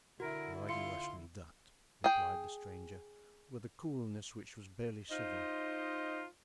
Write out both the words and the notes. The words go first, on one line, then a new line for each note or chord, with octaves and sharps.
"Why do you ask me that?" replied the stranger, with a coolness which was barely civil.
D3 E4 F#4 A#4
F4 C6 C#7
G#4 G5
D#4 F4 C5 D#5